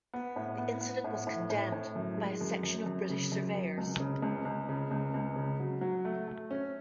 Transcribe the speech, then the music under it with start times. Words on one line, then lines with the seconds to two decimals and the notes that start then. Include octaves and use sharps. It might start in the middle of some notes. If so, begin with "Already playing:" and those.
The incident was condemned by a section of British surveyors.
0.14 B3
0.36 A2
0.58 B3
0.81 B3
1.04 A2
1.27 A2
1.50 A2
1.72 A2
1.95 F#2
2.17 G#3
2.41 F#2
2.63 F#2
2.86 F#2
3.09 C#3
3.32 F#2
3.55 F#2
3.78 C#2
4.00 C#3
4.22 C#2
4.45 C#2
4.69 C#3
4.91 C#2
5.14 C#2
5.36 C#3
5.60 F#3
5.81 F#3
6.05 A3
6.27 A3
6.51 C#4